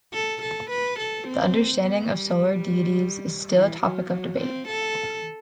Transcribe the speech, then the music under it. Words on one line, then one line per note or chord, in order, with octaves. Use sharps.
The understanding of solar deities is still a topic of debate.
A4
A4
B4
A4
C4
B3
G3
E3
F#3
F#3
C4
A4